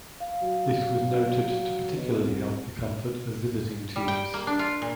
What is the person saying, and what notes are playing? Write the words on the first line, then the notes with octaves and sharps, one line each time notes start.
This was noted to particularly help the comfort of visiting teams.
F5
F#3
B2
C2
G3
G5
A#3
D4
F4
A#2